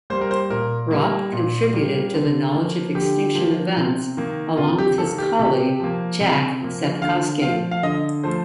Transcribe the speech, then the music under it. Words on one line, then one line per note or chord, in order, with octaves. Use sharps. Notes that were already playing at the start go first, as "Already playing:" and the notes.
Raup contributed to the knowledge of extinction events along with his colleague Jack Sepkoski.
G3 A#3 C5
A#4
C5
A#2 A#4
G3 A#3
A#2
G3 A#3
D3
F3 A#3
D3 G4
F3 A#3
C3
D#3 A#3
C3 F4
G4
D#3 A#3 A4
G4
C3 G4
F3 A#3
C3
F3 A#3
D3 F5
F3 A3 F5
F5
D3 D#5
F3 A3 C5